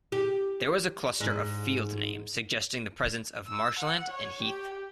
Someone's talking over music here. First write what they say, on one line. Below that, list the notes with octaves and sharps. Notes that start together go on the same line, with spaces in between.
There was a cluster of field names suggesting the presence of marshland and heath.
G4
G#2
E6
F#5
C#5
G4